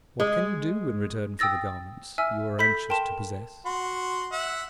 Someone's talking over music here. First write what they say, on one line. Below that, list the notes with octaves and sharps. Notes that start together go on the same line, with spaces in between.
What can you do in return for the garments you are anxious to possess?
G#3
G5 D#6 E6 A6 A#6
E5 G#5 E6 F6
A4 B5 G6 B6
A#4 G5 A5 C6 E7
F#4 C6
E5 F#5